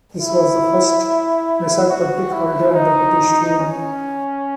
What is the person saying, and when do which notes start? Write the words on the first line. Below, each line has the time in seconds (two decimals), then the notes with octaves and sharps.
This was the first Vesak public holiday under British rule.
0.22 E4
1.90 F#4
2.32 E4
2.74 D#4
3.59 C#4